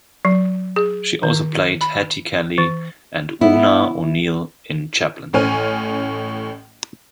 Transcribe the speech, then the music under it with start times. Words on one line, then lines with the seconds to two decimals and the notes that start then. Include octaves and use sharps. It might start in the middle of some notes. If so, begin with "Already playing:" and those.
She also played Hetty Kelly and Oona O'Neill in "Chaplin".
0.25 F#3
0.76 G#4
1.23 D#3
1.81 B5
2.58 E3
3.41 B3 E4
5.33 A1 A2 C#4 G#5 F6